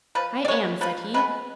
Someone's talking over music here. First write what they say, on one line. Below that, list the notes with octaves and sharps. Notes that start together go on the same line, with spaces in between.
"I am," said he.
F3 B4
D5
G#3 B3 C#5
F3 B4
G#3 B3 B4